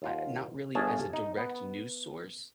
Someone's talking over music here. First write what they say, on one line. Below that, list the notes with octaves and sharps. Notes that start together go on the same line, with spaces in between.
I not really as a direct news source,
D#2 F4 F#5
G1 C#4 G#4 G#5 A5
D#4
B3